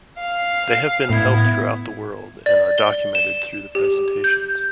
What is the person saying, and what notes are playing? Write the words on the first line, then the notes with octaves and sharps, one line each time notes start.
They have been held throughout the world, and are documented through the presentations.
F5
A2 B3 E4 G#6
D5
G7
E7
G4
G6